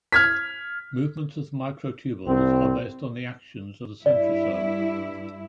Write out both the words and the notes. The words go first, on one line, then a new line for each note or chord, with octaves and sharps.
Movements of the microtubules are based on the actions of the centrosome.
F6 G#6 B6
C2 C4
G2 E4 D5